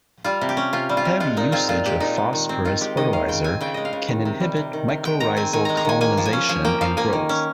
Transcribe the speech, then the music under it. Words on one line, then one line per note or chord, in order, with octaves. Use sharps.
Heavy usage of phosphorus fertilizer can inhibit mycorrhizal colonization and growth.
G3 F4
C3
G4
C#4
C3 F4
G3
F4
C3
G#3 F4
A#2 D#4
C4 F4
A#2 F4
G#3 G4
A#2 D#4
G#3
D#3
C4
D#3 F4
G#3 G4
D#3 D#5
G#3 F5
C#3 G5
C4 G#5
C#3 G5
G#3 D#5
F5
C#3
D#3
C3
G3
C3
D#3
C3
G#3 G5
D#3 A#5
C4 G#5
D#3 G#5
G#3 A#5
A#5
D#3 G#5
A#3 G#5
F3
G#5
C#4
F3 G#5
A#3 G5
F3 F5
A#3 G#5
D#3
C#4